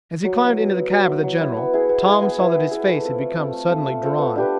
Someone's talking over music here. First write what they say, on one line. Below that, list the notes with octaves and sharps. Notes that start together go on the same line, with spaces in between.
As he climbed into the cab of the General, Tom saw that his face had become suddenly drawn.
F#3
B3 E4
F#3
B3 E4
F#3
B3 E4
F#3
B3 E4
B3
E4 G#4
B3
E4 G#4
B3
E4 G#4
B3
E4 G#4
A3
C4 F4 A4
A3
C4 F4 A4
A3
C4 F4 A4
A3
C4 F4 A4
B3
D4 G4 B4